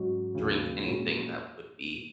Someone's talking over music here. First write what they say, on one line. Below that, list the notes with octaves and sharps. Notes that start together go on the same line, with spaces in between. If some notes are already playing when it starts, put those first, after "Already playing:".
drink anything that would be
Already playing: G#2 F#3 C#4 F#4
D#2 C#3 F#3
A#2 G#3 C#4 F#4